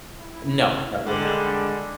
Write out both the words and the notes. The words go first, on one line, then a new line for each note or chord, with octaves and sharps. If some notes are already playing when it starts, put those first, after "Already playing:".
No. Probably
E4
D3 D#3 G3 G#3 D4